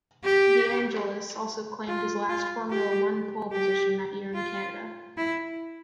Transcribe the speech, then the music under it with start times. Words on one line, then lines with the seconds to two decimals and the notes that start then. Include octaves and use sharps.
De Angelis also claimed his last Formula One pole position that year in Canada.
0.24 G4
1.89 F4
2.29 F4
2.70 G4
3.53 G4
4.34 F4
5.17 E4